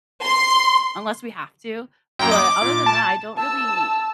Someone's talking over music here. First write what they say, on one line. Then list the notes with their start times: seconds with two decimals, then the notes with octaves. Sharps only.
unless we have to, but other than that, I don't really
0.24 C6
2.19 F#2 A#3 G5 A#5
2.31 D#5 D6
2.62 A#2
2.86 A5
3.37 A5 E6